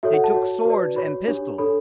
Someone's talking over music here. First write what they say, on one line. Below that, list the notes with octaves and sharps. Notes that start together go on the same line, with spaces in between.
They took swords and pistols.
F#4 A4 C#5 E5
F#5
A5
F#4 C#5
F#4 B4 D5
F#4 C#5 B5
D4 G4 C#5
D4 A4 C#5 B5